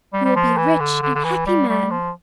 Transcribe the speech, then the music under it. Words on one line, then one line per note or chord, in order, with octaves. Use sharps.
You will be a rich and happy man!
G3
G3
F3
E3
D3
D3
D3
E3
G3
G3
F3